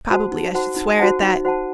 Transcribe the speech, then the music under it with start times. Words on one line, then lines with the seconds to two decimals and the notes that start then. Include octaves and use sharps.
Probably I should swear at that.
0.10 F#4 C5 F#5 A5
0.32 D#4
0.55 F#4 C5 F#5 A5
0.76 D#4
0.99 F#4 C5 F#5 A5
1.22 D#4
1.45 F#4 C5 F#5 A5